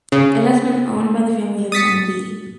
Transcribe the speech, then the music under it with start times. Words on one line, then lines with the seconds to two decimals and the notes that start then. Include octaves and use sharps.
It has been owned by the family of N. B.
0.12 C#3
1.72 D#6 A6 B6 C#7